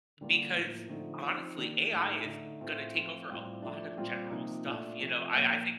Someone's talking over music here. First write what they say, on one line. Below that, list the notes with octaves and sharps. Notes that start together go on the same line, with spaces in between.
because honestly, AI is gonna take over a lot of general stuff, you know? I I think
D3 G3 A#3 F4
A2 F3 A#3
D3 F3 A3 C4 D#4
F3 C4 D#4
D#3 A#3 D4 F4
A2 A3 D#4
D3 A3 D#4
A2 A3 C4 F4
F3 A3 C4 F4
A2 G3 C4 F4
F3 A3 D4
A#2 G3 C4 F4
C3 F3 A#3 D#4
A#2 A3 D4 F4
C3 F3 A3
A#2 F3 A#3